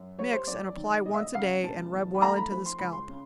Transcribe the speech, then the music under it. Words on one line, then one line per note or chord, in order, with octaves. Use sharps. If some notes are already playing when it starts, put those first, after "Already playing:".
Mix and apply once a day, and rub well into the scalp.
Already playing: F#2
G3 C#5
C5
F#2 D5
D#3
E1 D#5
E5
D#5
C#3 F5
E1 A5
E2
B5
A3 A#5
B5
F3 B5
C6
C#2 B5
C6
C#3